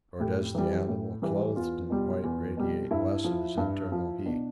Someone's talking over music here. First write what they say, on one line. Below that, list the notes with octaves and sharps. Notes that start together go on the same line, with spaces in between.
Or does the animal clothed in white radiate less of his internal heat?
A2 G4
E3 G3
A2
E3 G3
E2 F4
B2 G3
E2
B2 G3
G2 E4
F3
G2
F3
B2 D4